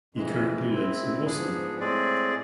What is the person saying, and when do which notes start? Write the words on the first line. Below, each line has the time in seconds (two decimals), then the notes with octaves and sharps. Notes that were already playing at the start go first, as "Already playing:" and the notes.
He currently lives in Austin.
0.15 F2 E3 G#3
0.70 G#3 C4 E4
1.25 G#2 F3 B3 D4 G#4
1.80 A2 G#3 C4 G#4 D5